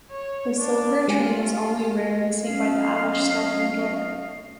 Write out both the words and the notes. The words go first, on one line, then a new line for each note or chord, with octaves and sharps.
The silver train was only rarely seen by the average Stockholm dweller.
C#5
D4
G#3 F4 G4 G#5
B1 C#4 D#5 F5